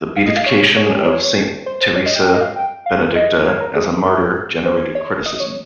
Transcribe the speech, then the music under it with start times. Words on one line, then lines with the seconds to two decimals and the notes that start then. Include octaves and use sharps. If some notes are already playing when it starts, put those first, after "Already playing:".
The beatification of Saint Teresa Benedicta as a martyr generated criticism.
0.16 F5
0.26 D#5
0.36 F5
0.46 C#5
0.76 C#5
0.86 G#4
0.96 G4
1.06 C#5
1.66 C5
1.81 C5
1.96 C#5
2.06 D#5
2.16 G5
2.26 G5
2.34 D#5
2.41 F5
2.56 G5
2.86 F5
3.16 D#5
3.46 C#5
3.60 A#4
3.76 G#4
4.05 A#4
4.66 C5
4.95 C#5
5.26 D#5
5.40 C#5